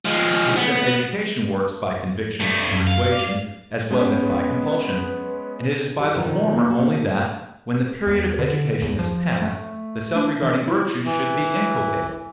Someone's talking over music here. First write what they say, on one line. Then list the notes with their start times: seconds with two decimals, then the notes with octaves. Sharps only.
But even education works by conviction and persuasion as well as by compulsion, and it is by the former only that, when the period of education is past, the self-regarding virtues should be inculcated.
0.05 F3 G#3
0.57 B3
2.40 G2 A3
2.71 F#2
2.87 F5
3.12 D5
3.91 G#3 B3 C#4 B4
5.99 E3 G4
6.16 B2 D#3 F3
6.51 A#3
6.70 F#4 A4
8.07 E2
8.39 D3
8.82 E2
8.99 F3
9.42 A3
10.16 D4
10.42 E3
10.68 E4
11.05 E3